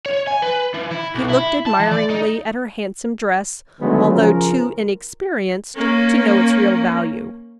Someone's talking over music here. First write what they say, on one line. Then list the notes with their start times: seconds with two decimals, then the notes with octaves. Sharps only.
He looked admiringly at her handsome dress, although too inexperienced to know its real value.
0.06 C#5
0.27 G#5
0.42 B4
0.74 E3
0.91 E4
1.15 B1
1.30 E4
1.67 A5
1.79 E3
1.91 D5
2.10 D#4
3.80 D3 D#3 F#3 G#3 A3 B3
4.12 C#3 F3 C#4 F4 A#4
5.76 A#3 C#4